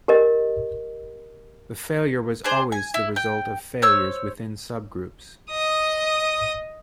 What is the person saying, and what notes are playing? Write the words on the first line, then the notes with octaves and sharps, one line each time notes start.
The failure was always the result of failures within subgroups.
G4 A#4 D#5
D4 G#4 C5
G#5
E4
G5
C5 C#5 E6
D#5 D#6